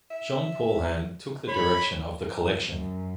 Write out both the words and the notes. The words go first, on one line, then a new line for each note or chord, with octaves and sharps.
Jean Paulhan took the direction of the collection.
E5
C#5 B5
F#2